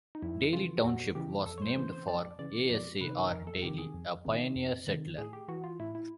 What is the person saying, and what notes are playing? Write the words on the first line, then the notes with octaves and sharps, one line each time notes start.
Dailey Township was named for Asa R. Dailey, a pioneer settler.
D#4
F2 E4
C#3 E3 F4
G4
F2 F#4
C#3 E3 G4
F2 A4
C#5
C5
C#3 E3 C5
C5
F2 D5
C#3 E3 D5
F2 D5
C3 D#3 B4
F2 A#4
A4
C3 D#3 G4
G#4
F2
C3 D#3
F2
C3 D#3
A2 G#4
G4
E3 F#4
F4
A2 E4
E4